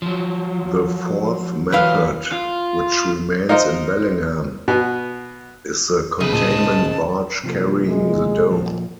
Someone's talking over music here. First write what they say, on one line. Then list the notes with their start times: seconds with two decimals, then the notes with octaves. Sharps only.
The fourth method, which remains in Bellingham, is the containment barge carrying the dome.
0.02 F3 F#3
1.72 E3 F#3 B4 F5
2.32 F4
3.49 D#4 F4 A#4 C5 D#5
4.68 B2 B3
6.20 C#3 D#4 B4
6.32 D2 A#2 C4 D#5 A5
7.44 C3 F3 A#3
7.89 G#3
8.50 A#2 F3